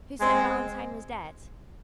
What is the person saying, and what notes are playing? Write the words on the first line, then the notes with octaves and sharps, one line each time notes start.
"Who said Valentine was dead?"
G#3 C4